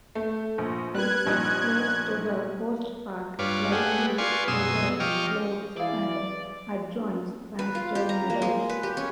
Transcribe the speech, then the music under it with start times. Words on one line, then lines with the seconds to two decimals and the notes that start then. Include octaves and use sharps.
It sits close to the coast path, lightly wooded slopes and adjoins pasture meadows.
0.15 A3
0.58 A#1
0.94 G3 B4 F#6 G#6
1.26 A#1 G3 D#4
3.39 G2 F4 B4 C#5 D6
3.72 G#3 A3 G4 G#4 B4 F#5
4.18 B4 D5 F5 G#5 C6 C#6
4.48 F#2 B2 G#4 C6 D#6 E6
5.00 F3 G4 D#5 C#6 D6 F6
5.77 E3 E4 G#4 D5 F5
7.59 B4
7.75 F4
7.95 G4
8.09 A#5
8.30 A#3
8.42 G#3
8.70 B4
8.83 G4
8.97 C#4